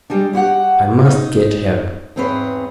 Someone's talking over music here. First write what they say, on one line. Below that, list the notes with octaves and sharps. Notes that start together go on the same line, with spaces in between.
"I must get help."
G3 G#3 D4
E4 F#4 G4 F#5
D#4
E2 G#2 C4 G#4 B4 C#5